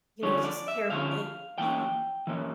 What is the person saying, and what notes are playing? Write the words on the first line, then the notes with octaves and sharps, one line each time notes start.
you know, it's just a terrible day because then
D3 F3 C#4 C#5
D5
E5
D3 F3 C#4 F5
E3 A#3 C#4 G5
E3 A#3 C#4